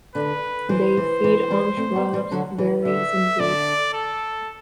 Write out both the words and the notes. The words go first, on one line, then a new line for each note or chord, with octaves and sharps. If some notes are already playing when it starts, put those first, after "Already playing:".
They feed on shrubs, berries and roots.
D3 B4
E3 C5
E3
E3
E3 G3
A3 C4
G3 B3
E3 G3
D3 F#3
E3
D3 E5
D3 D5
A4